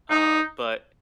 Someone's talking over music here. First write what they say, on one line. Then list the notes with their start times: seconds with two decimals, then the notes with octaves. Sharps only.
Uh, but
0.10 D#4